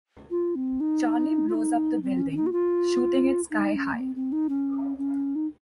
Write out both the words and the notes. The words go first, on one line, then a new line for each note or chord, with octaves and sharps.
Charlie blows up the building, shooting it sky-high.
F4
C4
D#4
F4
D#4
C4
C#4
C#4
D#4
F#4
F4
D#4
C#4
A#3
C4
C4
D#4
C#4
C#4
D#4